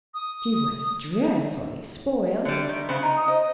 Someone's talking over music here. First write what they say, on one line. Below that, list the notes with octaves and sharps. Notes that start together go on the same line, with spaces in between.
She was dreadfully spoiled.
D#6
D3 G3 E5
D#3
C#3 B3 C5
D#4 A#5
D#6
C5 D#5